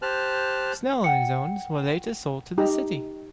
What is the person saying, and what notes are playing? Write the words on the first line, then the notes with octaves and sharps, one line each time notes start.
Snail and his owns were later sold to the city.
G4 C5 A5 F6 F#6
F#5 G5 C#7
D#4 G4 A#5